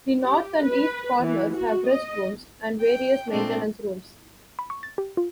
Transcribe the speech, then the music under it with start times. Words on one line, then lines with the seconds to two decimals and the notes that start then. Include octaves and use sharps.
The north and east corners have restrooms and various maintenance rooms.
0.23 G4
0.63 B4
1.21 E3
1.54 F#4
1.88 D#5
2.81 G5
3.31 A#2 G#3 A3 C4 D4
4.59 B5
4.70 C#6
4.83 A6
4.98 G4
5.17 F4